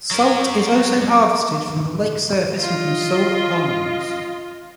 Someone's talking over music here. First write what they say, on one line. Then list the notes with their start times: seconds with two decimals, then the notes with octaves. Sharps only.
Salt is also harvested from the lake surface and from solar ponds.
0.11 F#3 A#4
2.55 F4 D#5